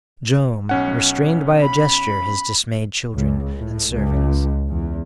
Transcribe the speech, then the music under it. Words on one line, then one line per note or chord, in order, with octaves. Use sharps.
Joam restrained by a gesture his dismayed children and servants.
B1 C#4 F#5
B5
C#2
A2
C#2
E2